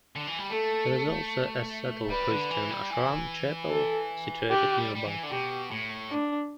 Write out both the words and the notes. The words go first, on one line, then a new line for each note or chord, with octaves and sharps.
There is also a Sattal Christian Ashram chapel situated nearby.
D3
E3
G3
A3 A4
G3 B4
D3
E3
G3
E3
A4
D3 G4
G3
G3
E3
D3
B2 G4
A2
D4